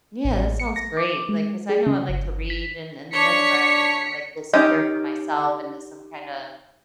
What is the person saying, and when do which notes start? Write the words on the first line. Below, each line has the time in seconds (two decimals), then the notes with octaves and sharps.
Yeah, that sounds great, like, 'cause I know I'd like to read and and that's where I can kinda, like, disappear for myself into some kinda
0.25 A1
0.60 C#7
0.76 A#6
0.97 D6
1.29 G#3
1.69 G#4
1.87 C#3
2.09 G1
2.50 B6
3.13 D4 C#5 B6 C#7
4.53 C#4 D#4 G4 D#5